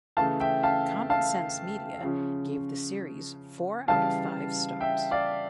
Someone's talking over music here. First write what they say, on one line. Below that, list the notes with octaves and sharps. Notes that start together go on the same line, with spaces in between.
Common Sense Media gave the series four out of five stars.
C#3 E3 A3 F5 A5
E5 G5
F5 A5
F5 A5
C#3 F3 C#4
C#3 E3 G3 F5 A5
E5 G5
D5 F5